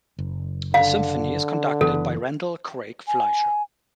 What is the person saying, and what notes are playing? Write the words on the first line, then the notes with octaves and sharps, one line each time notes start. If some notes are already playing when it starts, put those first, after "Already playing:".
The symphony is conducted by Randall Craig Fleischer.
F#1
D3 F5
F#1 E3 B3 A4
G#5